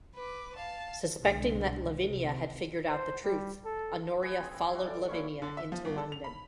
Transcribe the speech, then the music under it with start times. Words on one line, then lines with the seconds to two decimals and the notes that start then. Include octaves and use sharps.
Suspecting that Lavinia had figured out the truth, Honoria followed Lavinia into London.
0.15 B4 D6
0.55 F5 A5
1.21 C2 B2 D3 G#3
2.08 C3
2.89 C5
3.24 G3
3.65 A4
4.23 B4 D#5 G#5
4.40 C4 G#4
4.54 E3
4.73 G3 F#4
4.86 A4 D5
5.08 A#2 E4 C#6
5.42 D3
5.57 E5
5.72 F3
5.85 G1
5.98 A4
6.12 F7
6.24 B5